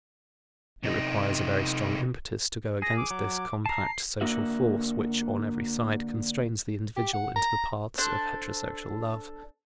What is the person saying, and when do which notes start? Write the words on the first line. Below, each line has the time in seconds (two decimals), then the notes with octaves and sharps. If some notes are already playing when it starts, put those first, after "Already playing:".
It requires a very strong impetus to go against this compact social force which, on every side, constrains the individual into the paths of heterosexual love.
0.83 C3 D#4
2.82 G#4 A#6
2.96 D6
3.11 F#3
3.66 A5 A#5 C7
4.21 D3 A#3 F#4 E5
6.96 G4
7.13 F#5
7.36 A#5
7.98 D4 A4 C5 F#6